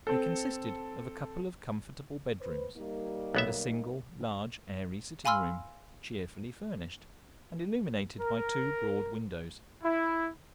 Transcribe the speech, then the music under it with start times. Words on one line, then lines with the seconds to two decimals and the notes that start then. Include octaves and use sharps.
They consisted of a couple of comfortable bed-rooms and a single large airy sitting-room, cheerfully furnished, and illuminated by two broad windows.
0.07 C4 A4
2.41 B4 C5
2.77 G3 A#3 D#4
3.35 B1 B3 E5
5.25 F5 G#5 B5 C6 E6 F6
8.19 A#4
9.84 E4